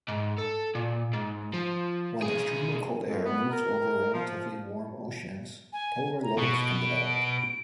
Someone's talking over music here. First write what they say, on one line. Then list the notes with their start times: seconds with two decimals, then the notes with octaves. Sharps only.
When extremely cold air moves over relatively warm oceans, polar lows can develop.
0.08 G#2
0.38 A4
0.75 A#2
1.13 G#2
1.53 F3
2.22 B1 G#4
3.08 F2
3.25 B3
3.51 A#4
4.13 F3
5.73 G#5
6.23 A#5
6.37 B2 C#6
6.64 D7